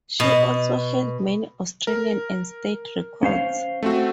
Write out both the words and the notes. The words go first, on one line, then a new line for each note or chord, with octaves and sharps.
She also held many Australian and State records.
B2
A#4
C#4 C5 F5
A3 C4 F#4